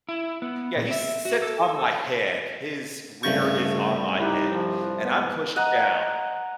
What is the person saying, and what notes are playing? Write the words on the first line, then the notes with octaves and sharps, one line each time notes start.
yeah, he sits on my head, his rear is on my head and I'm pushed down.
E4
B3
A#2
E5
F#4
A4
C2 G2 C#3 A3 C#6 G6
D#4 E4 G4 F#6
F3
B3
D#5 F#5 A#5